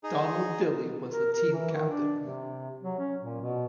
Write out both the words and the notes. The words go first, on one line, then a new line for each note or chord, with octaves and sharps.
Donald Dilly was the team captain.
D#4 G#4
A#4
A#4
E3
D#3
D4
C3
F#3
C#4
A#2
B2